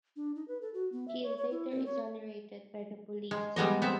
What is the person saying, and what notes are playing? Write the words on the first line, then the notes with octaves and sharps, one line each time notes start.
He is later exonerated by the police.
D4
D#4
B4
A4
F#4
B3
E5
C#5
C#5
E4
C4
C#5
G#3
G3 G#3 B3 D#5
B3 C4 E5